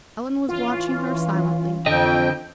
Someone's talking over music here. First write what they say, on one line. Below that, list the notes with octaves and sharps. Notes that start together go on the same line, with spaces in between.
Ellen was watching her silently.
E3 C#4 F4
F2 D3 A4 D#5 G5